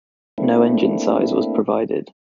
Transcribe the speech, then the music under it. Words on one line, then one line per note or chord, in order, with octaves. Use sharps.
No engine size was provided.
A3 A#3 C4 D4 E4